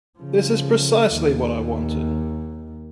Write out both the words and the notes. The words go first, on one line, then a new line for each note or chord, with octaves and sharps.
This is precisely what I wanted.
C#3 F3
D#2